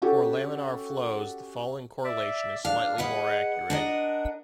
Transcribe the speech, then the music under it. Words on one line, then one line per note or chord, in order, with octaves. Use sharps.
For laminar flows, the following correlation is slightly more accurate.
C#4 F#4 G4 A4
D5 E5
D4 F5
G#4 B4 D#5 F#5
D4 A#4 D#5